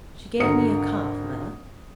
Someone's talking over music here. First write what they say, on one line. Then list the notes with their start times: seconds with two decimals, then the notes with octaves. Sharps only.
'She gave me a calf, Mother.'
0.40 G#1 D3 A#4 D#6 C#7